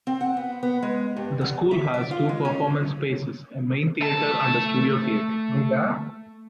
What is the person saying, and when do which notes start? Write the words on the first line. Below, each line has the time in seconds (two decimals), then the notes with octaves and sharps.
The school has two performance spaces, a main theater and a studio theater.
0.07 C4
0.21 F#5
0.37 B3
0.63 B3
0.83 G#3
1.17 G2
1.41 E2
1.71 E5
1.94 D5
2.11 F4
2.29 G#3
2.45 C#4
4.01 A3 A5